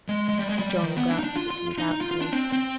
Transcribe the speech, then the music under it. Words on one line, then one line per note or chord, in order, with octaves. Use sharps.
Mr. John glanced at him doubtfully.
G#3
G#3
G3
G#3
G3
G3
D#3
B3
D4
D#4
D4
F4
F4
D#4
D#4
F4
F4
D4
C4
C4